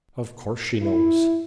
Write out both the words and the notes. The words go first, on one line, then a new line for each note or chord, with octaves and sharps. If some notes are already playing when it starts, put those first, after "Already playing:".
'Of course she knows.
E4